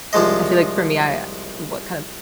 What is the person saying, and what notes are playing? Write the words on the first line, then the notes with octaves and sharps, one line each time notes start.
I feel like for me, I what kind of m
C2 F3 G#3 D#5